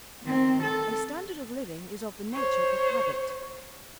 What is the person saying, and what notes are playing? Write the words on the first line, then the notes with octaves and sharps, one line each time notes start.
A standard of living is of the nature of habit.
D#3 C4
A4
C5 C#5